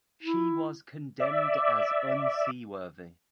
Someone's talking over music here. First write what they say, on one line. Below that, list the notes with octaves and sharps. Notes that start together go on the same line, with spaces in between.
She was condemned as unseaworthy.
E4
D5 E5